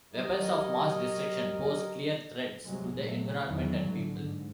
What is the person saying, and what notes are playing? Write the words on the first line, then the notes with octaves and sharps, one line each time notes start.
Weapons of mass destruction pose clear threats to the environment and people.
F#3 G4 A#4 C#5 D#5
C3 F#3 G#3
A#2 F#3 A3
E2 D#3 E3 F#3
A2 D3
G#2